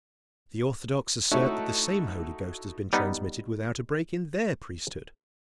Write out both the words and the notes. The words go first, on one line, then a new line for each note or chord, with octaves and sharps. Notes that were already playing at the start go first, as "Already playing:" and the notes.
The Orthodox assert that the same Holy Ghost has been transmitted without a break in their priesthood.
A3 D#4 E4 F#4 A4 C#5
G3 B3 D#4